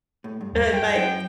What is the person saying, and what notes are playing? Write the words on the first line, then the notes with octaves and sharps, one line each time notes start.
Alright. Bye.
A2
G2
G2
G2 G5
F#2